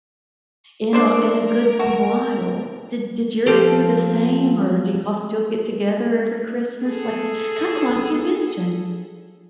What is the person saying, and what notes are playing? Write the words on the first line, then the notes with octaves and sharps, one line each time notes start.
in a in a good long while. Did did yours do the same or do y'all still get together every Christmas? Like, kinda like you mentioned.
D4 A#4 C5 D5
F#4
F3 G4 A4
G#4 A4